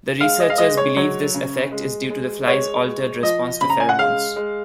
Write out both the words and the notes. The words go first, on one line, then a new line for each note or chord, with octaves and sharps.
The researchers believe this effect is due to the flies' altered response to pheromones.
G#3 F5
D#5
F5
G#3 D#5
C#5
F#3 C#5
C#3
G#3
G#3
G#3 C#5
G#3
F3 D#5
C#3 B5
A#5
G#5
F#5
G#3 F5
G#3